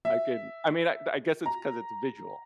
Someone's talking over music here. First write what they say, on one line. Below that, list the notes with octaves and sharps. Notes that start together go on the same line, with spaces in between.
I could I mean, I I guess it's because it's visual,
E5
A#5